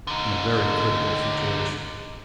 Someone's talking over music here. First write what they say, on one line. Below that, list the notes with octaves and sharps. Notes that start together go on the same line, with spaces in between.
In a very critical situation.
D3 D#4